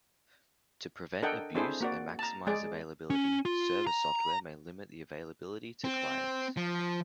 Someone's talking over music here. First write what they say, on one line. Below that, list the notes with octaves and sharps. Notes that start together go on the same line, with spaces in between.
To prevent abuse and maximize availability, server software may limit the availability to clients.
D4 A4 A#4 D#5 F#5 G5
C4 D4 E4 G#4 A4 C5
A#3 F#4 D5
A5 A#5
G#3 G#4 D5
C#4
F4
A#5
C4
F3